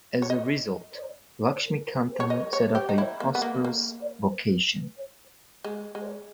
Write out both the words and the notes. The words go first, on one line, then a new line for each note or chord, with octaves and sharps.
As a result, Lakshmikanthan set up a prosperous vocation.
C#5
D#5
C#5
D#5
C#5
G4
D#4
E4
A#3
B3
A#3
A#3
G#3
G#3